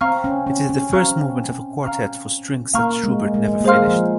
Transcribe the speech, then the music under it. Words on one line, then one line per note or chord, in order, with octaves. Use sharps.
It is the first movement of a quartet for strings that Schubert never finished.
C4 F5 A#5 C#6 F6
C#4
C#4
C#4
C4 F5 A#5 C#6 F6
F5 A#5 C#6 F6
A#3 F5 A#5 C#6 F6
G#3
G#3
A#3
G#3 G#4 C5 F5 C6 F6
F3